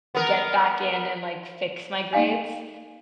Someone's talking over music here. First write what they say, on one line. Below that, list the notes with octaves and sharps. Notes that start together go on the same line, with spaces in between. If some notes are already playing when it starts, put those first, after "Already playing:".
get back in and, like, fix my grades
B3 A#4
A#3 D#4 F5 G#5